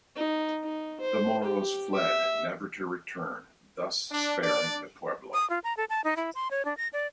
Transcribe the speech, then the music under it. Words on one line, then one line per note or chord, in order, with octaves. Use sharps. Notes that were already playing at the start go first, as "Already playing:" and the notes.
The Moros fled, never to return, thus sparing the pueblo.
D#4
D#4
C5
G4
E5
D4
D4 D5
D#6
F4
A#5
A4
A5
D#4
E4
C6
C#5
D4
A#6
D5